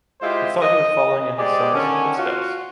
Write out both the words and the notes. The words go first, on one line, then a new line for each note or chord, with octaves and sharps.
He thought he was following in his son's footsteps!
G#3 E4 F4 G4 C5
D#5
G#3 G4 G#4 C5 D5
D3 D#3 C#4
F4 F#4